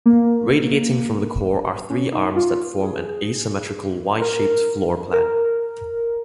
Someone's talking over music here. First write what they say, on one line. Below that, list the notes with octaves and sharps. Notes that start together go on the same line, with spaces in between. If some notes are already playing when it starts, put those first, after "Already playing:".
Radiating from the core are three arms that form an asymmetrical Y-shaped floor plan.
A#3
C#4
D#4
F4
G#4
A#4
A#4